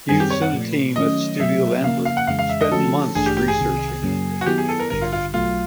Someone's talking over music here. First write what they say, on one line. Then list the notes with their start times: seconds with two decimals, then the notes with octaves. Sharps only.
Hughes and the team at Studio Lambert spent months researching.
0.09 F#2 D#3 G3 C4 G#4
0.20 G4
0.30 C#5
0.42 F#5
0.53 A#2 F3 A3
0.96 D#3 F#3 A3 C#4 D#5
1.40 B2 F#3 A3 E5
1.84 C#3 F3 A#3 F5
2.05 F5
2.17 F#5
2.27 F2 C#3 E3 G#3 F5
2.39 F5
2.49 E5
2.61 D#5
2.71 D3 F3 A3 C#4 F#4 A4
3.15 A1 G2 E3 A3 D4 G#4
3.26 G4
3.37 G4
3.48 G#4
3.59 C2 C3 D#3
4.03 F#2 C#3 F#3 A#3 C#4
4.41 F#4
4.46 D#3 F#3 B3 E4 G4
4.58 G#4
4.68 A4
4.79 A#4
4.90 A1 G2 D3 G3 A#4
5.01 F4
5.12 F4
5.34 B1 B2 F#3 A3 F4